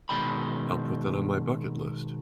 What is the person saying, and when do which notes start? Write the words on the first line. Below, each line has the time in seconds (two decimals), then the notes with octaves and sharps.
I'll put that on my bucket list.
0.09 B2 D#3 G#3 G5 B5